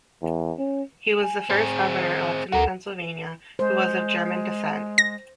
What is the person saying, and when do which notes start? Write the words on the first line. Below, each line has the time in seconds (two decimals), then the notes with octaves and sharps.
He was the first governor elected in Pennsylvania who was of German descent.
0.22 E2
0.59 C#4
1.23 G#5
1.50 C4 G#4
2.52 D2 F#4 A4 A#4 F#5
3.59 G#3 C5
4.98 A#6